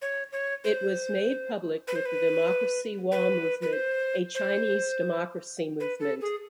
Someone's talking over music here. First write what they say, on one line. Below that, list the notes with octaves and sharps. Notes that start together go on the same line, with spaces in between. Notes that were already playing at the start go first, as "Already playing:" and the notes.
It was made public with the Democracy Wall Movement, a Chinese democracy movement.
C#5
C#5
C5
B4
C5
B4
B4
B4
C5
C5
B4
A4
G#4